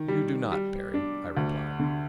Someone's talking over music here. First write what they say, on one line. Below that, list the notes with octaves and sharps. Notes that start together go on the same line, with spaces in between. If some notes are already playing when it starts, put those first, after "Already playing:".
"You do not, Perry," I replied.
Already playing: D#3
G3
G3
D4
D2
D3